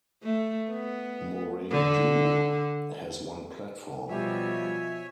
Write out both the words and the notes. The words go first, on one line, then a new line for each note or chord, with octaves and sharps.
Morradoo has one platform.
A3
B3
D3
B2 F3 G3 C#5 E5 G#5